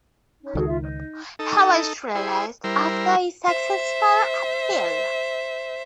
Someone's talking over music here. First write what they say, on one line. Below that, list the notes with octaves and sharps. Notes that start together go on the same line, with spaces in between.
He was released after a successful appeal.
C#4 D#4
C#2 D#3 F#4 G#4 A4
F4 E5
D#4
D#4 A4
E4 G#4 C5
G3 E4 A#4 C5
C5 E5